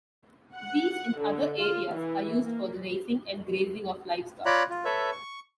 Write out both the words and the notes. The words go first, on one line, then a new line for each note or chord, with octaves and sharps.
These and other areas are used for the raising and grazing of livestock.
F#5
D3
F4
E3
A#3
F4 C#5 D5 A#5 B5 F#6
F4
A4 B4 C#5 E5
C#6